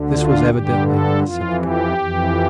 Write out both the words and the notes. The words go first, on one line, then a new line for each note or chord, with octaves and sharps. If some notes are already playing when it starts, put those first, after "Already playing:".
This was evidently the basilica.
Already playing: D2 D3
F4
G2 D3 G4
A4
F2 E3 F4
G4
F2 E3